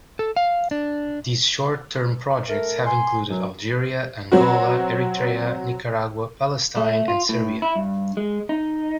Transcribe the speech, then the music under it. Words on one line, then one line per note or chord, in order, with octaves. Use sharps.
These short-term projects have included Algeria, Angola, Eritrea, Nicaragua, Palestine and Serbia.
A4
F5
D4
A3 A#4
G#5 C6
F#2 F#3
F#3 C4 F#4
A3
F4
A2
E4
G2
G#3
D#4